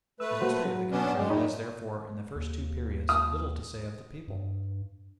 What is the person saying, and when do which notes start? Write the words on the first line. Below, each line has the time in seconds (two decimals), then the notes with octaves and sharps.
The history of the country has, therefore, in the first two periods little to say of the people.
0.20 A3 B4 E6
0.41 A#3 F#4 C5
0.65 F#3
0.91 B3 C#4 D4
1.17 F#2 G#3 D5 G5
1.30 A#2 D#4 C#5 B5
2.36 D#2
3.09 D#6
4.28 G2